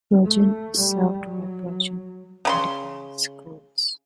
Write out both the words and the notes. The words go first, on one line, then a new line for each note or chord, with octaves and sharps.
Burgin is served by Burgin Independent Schools.
A3
G3
F#3
C#3 B5 C6